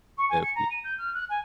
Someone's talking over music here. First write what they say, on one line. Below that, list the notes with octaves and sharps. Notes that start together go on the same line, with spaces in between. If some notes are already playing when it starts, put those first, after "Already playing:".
That'd be
C#6
G#5
C#7
A#5
D#7
G6
F6
F#6
G#5